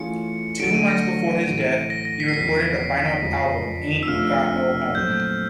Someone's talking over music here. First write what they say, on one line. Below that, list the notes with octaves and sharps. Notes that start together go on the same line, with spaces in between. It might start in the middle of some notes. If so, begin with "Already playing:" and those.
Two months before his death, he recorded a final album, "Ain't Got No Home".
Already playing: E3 A3 C#4 F4 G#4 C#7
D3 F#3 A3 D7
D#7
A#6
A2 E3 A3
A#6
A#6
B6
C7
E2 C#3 F3 B6
F2 C#3 F3 G#3
E6
C3 F3 A3 D4 F4 F6
A#2 F#3 A3 C4 G6